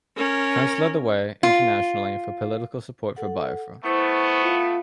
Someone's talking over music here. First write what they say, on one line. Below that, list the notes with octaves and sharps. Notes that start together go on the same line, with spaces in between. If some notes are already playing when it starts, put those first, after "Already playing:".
France led the way, internationally, for political support of Biafra.
C#4 A#4
F4
A4 F#5
A3 B3 E4 C5 C#6
F4 F5